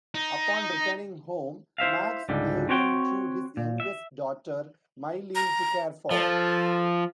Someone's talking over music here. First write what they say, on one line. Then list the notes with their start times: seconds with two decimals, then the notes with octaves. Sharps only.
Upon returning home, Max gave him to his youngest daughter, Mylene, to care for.
0.15 D#4
1.78 E4 C5 E5 F5
2.29 C#2 G#2 D3 G3
2.69 C4 F#4 C#5 G5
3.57 A#2
3.80 E5
5.35 A#5
6.11 F3 A4